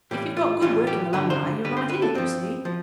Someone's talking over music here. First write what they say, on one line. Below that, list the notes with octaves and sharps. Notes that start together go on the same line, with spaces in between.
If you've got good working alumni, you're right in it, you see.
A2 E3 G3 G4
F4
A2 E3 G3 F4
G4
G2 D3 G3 B4
C5
G2 D3 G3 B4
C5
B4
A4
G2 F3 C4
F3